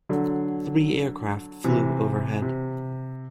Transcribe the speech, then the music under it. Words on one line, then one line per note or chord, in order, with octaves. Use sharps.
Three aircraft flew overhead.
D3 F#3
C3 E3
C3